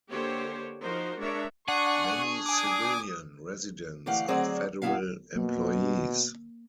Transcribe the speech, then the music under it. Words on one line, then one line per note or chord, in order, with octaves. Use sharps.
Many civilian residents are federal employees.
D3 A#3 G4 C5 C#5
F3 D#4 F#4 A#4 C5
G#3 D4 A#4 C#5 E5
D4 G#4 F#5 C#6
G#5 D6 D#6
D2 E3 G4 F5 F#5
D2 F#3 C4 G#4 C5 D5
D#2 G#2 B3 E4 E5 F5
B2 A#3